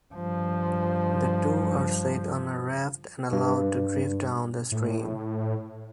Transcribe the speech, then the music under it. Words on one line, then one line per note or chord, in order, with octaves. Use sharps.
The two are set on a raft and allowed to drift down the stream.
G2 F3
G2
A2